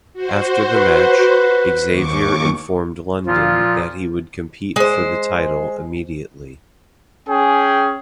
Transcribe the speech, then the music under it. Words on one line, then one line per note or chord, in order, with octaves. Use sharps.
After the match, Xavier informed London that he would compete for the title immediately.
F#4 C5
B4
D#2 C#6 D6
A#2 F3 F4
G#3 C5
C#4 G#4 G5